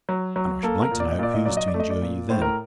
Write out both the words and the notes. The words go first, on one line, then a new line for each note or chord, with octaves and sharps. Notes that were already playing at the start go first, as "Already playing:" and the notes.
And I should like to know who's to endure you then?
F#3
F#3
A#3 A4
A#4
A#2
D5
D#5
A#2 D5
D#5
F#3 D5
D#5
D5
A3
D#5
D5
A#2
A2 C5
A#4